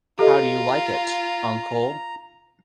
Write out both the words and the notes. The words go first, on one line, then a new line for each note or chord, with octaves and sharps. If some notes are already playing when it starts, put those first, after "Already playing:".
How do you like it, uncle?
F4 G4 A4 D#5 A#5